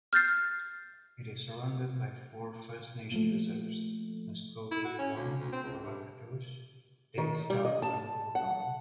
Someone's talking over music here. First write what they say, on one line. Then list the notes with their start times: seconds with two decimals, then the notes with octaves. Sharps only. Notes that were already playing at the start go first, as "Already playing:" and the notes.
It is surrounded by four First Nation reserves: Muskowekwan, Kawacatoose, Daystar and Gordon.
0.13 F6 G6 A6 C7
3.12 A#2 F3 A3
4.71 E4
4.85 F#4
4.99 C#4
5.16 D2
5.39 D2
5.52 C4
5.63 C#2
5.83 G2
7.18 D#3
7.50 G3
7.65 D#5
7.82 A5
8.35 F#5